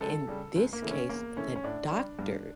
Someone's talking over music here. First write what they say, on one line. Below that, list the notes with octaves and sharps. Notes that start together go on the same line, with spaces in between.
In this case, the doctor
C#2 A4
C#3 G3
C#2
A#3
C#3 E3 A3
C#4
E2 A#3
E3 A3 C#4
C#4
A2 D4
G3
G2